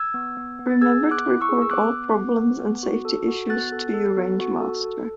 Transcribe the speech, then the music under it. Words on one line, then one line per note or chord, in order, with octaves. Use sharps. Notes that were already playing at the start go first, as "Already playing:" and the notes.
Remember to report all problems and safety issues to you range master.
Already playing: E6 G#6
B3
B3
B3
A6
G#4 E6 G#6
B3
D6 F#6
E4
C#6 E6
G#4
E6
B3 D6 F#6
B3
B3
B3
B3
F#4
A4
F#4
B3 F#6 A6
A4
A4
B3
F#4
A4
A4